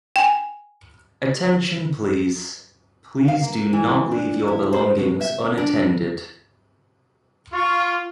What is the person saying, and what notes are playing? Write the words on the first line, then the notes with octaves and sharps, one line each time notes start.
Attention please, please do not leave your belongings unattended.
G5 G#5
F5
A#3
E3
D4
E4
C5
B2
E5
D4
F4 C#6